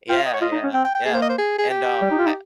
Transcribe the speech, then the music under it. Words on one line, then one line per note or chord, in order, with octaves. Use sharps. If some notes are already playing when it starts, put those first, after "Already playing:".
Yeah, yeah, yeah, and, um, I
F4 G5
F5
D#5
C#5
F4 D#5
D#4
C#4
C4 G5
G5
G5
A#3 G#4
C5
D#5
C5
G#4
G#4
G4
G3
D#4
F4
D#4